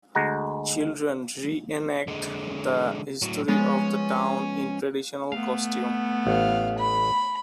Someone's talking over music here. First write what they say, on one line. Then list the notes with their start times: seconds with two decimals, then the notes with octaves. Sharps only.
Children re-enact the history of the town in traditional costume.
0.15 D2 G#3 F#5 A#5
2.08 D3 G#3
3.22 A2 F#3
3.48 F3 G#3 B3 C#4
5.32 A3 B3 F5
6.27 A1 F5
6.78 B5